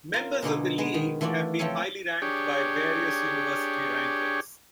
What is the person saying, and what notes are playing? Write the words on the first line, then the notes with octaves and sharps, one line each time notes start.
Members of the League have been highly ranked by various university rankings.
F4 A#4
B2 D3 G#3 D#4
G#3 B3
D#3
E3 A3 F4 F#4 D5
F3 A3 C4 F4 A4 C#5
D4 G4 G#4 C#5